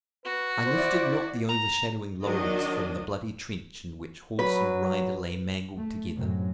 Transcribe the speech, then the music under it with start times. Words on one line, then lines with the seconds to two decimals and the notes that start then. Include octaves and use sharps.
I lifted not the overshadowing laurels from the bloody trench in which horse and rider lay mangled together.
0.25 F#4 B4
0.66 E4 C5 D5
1.49 A#5
2.24 D#3 F#3 D4 D#5
4.39 F#3 B4
5.77 A3
6.16 F#2 A2 C3 F#3